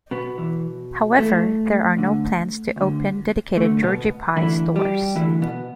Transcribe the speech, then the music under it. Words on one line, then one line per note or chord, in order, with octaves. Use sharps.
However, there are no plans to open dedicated Georgie Pie stores.
B2 B3
E2 E3
E2 E3 A3
D2 D3
D2 D3
D2 D3 A3
B2 B3
D2 D3 E3 E4
G3 G4
D2 D3 E3 E4
B2 B3